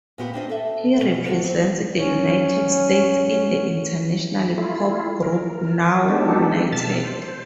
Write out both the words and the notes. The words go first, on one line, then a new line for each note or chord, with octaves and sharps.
He represents the United States in the international pop group Now United.
A#2 B3 G4
C4 D4 D#5
A4 E5
F#2 B2 A3
D3 D4 F#4
G3 C4
F#3 C#4
A3 E4 F4
A#4
G#3 B3 D4 D#4 G4 A4
B2 E5 A5 F6 A6
C5